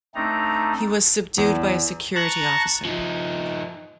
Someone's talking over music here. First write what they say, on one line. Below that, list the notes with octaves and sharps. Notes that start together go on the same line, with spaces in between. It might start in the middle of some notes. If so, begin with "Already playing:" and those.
He was subdued by a security officer.
A3 C4 D4 D#4 A#5
E2
A5 A#5 C#6 F#6
F3 D#4